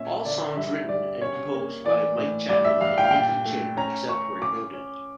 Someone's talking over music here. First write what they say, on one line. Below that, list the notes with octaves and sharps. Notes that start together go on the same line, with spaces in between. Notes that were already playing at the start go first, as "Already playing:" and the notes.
All songs written and composed by Mike Chapman and Nicky Chinn except where noted.
Already playing: A#2 C#4 E5
D3 D5
G2 E5
G2 D5
C#4 C#5
A#3
E3 D5
A2
G2 D5
E5
G2 F5
G5
F5
A#2 G5
A3
C#4 A#5
C#4 C#6
C#4 D6
C#4